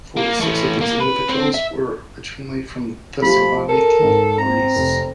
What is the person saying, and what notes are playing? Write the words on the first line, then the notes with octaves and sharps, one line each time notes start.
Forty-six of these individuals were originally from Thessaloniki, Greece.
A#3
E3 A3
A#3
B4
C4
E5
F3 G3 A3 F4 B5
A4 A#4
G#2
C4 A#5
F1